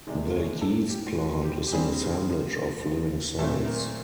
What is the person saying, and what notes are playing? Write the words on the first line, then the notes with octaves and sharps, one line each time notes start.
The yeast-plant is an assemblage of living cells.
C3 D#3 G#3 D5
C#5
A4
G4
F#4
G4
G4
G2 D3 G3 C4 G#4
A#2 F#3 A3 C4 A4
A#4